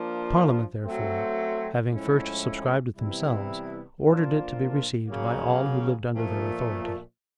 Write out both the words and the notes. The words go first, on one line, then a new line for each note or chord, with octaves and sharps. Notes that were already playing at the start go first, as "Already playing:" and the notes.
The parliament, therefore, having first subscribed it themselves, ordered it to be received by all who lived under their authority.
Already playing: F3 A#3 D4 F4
F#3 A3 C4
A2 F3 G#3 C#4 E4
C3 E3 G3 B3 E4
A#2 F3 A#3 D4 F4
C#3 F#3 A#3
A#2 F3 A3